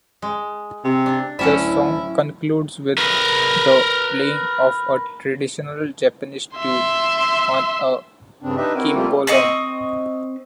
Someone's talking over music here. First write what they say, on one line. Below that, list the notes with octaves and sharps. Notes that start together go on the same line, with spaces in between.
The song concludes with the playing of a traditional Japanese tune on a cimbalom.
G#3
C3
D4
D2 A2 F#3 C#4 E4 E5
A#4 B4
E5 C6
G2 C#3 C4 D4
D4 D#4 G4 B4 D#5 E5
C4 E4 F#4 A#4
G3 A3 A#3 C4 F4 G4
C4 D#5 C#6